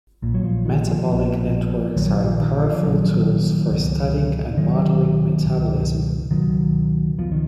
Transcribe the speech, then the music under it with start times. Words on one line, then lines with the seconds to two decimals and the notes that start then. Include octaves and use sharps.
Metabolic networks are powerful tools for studying and modelling metabolism.
0.22 A#1 A#2
0.34 F#3
0.44 F3
0.66 D#3
0.87 F3
1.09 A#1 A#2
1.96 A#1 A#2 D#3 F#3
2.18 F3
2.40 D#3
2.62 F3
2.83 A#1 A#2 D#3 F#3
3.70 C#2 B2
4.57 C#2 B2 D#3 F#3
5.44 C#2 B2
6.31 C#2 B2 D#3 F#3
7.18 C#2 B2 F3
7.32 D#3